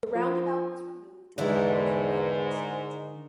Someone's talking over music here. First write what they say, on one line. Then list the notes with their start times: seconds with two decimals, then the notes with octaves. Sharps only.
The roundabout was removed and the whole area landscaped.
0.15 F3
1.38 E2 G#2 D3 D#3 G#3 D4 E4